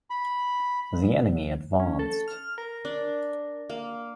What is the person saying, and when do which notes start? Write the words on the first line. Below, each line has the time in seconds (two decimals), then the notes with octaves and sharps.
The enemy advanced.
0.10 B5
1.80 C#4
1.99 A4
2.28 F6
2.58 A#4
2.85 D4
3.69 A#3